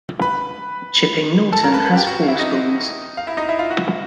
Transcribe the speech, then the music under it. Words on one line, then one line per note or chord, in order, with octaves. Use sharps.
Chipping Norton has four schools.
B4 B5
A4 A5
A#4 A#5
B4 B5
B4 B5
G4 G5
F#4 F#5
F5
E4 E5
D#4 D#5
F5
E4 E5
D#4 D#5
E4 E5
F4 F5
F#4 F#5